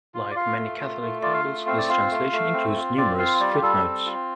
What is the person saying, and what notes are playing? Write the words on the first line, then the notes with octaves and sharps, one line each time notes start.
Like many Catholic bibles, this translation includes numerous footnotes.
F4
D5
F4 F5
A3
F4
A3
F4 D5
F5
A3
C4 F5
D5
F4 F5
A3
A3
C4
F4
C4 D5
F4 F5
G3 D5
G4
G3 A4
C4
F4